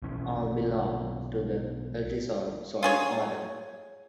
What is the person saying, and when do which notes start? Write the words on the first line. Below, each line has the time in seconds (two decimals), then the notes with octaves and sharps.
All belong to the Ultisol soil order.
0.02 B1 E3 C#4
2.83 F4 G#4 C#5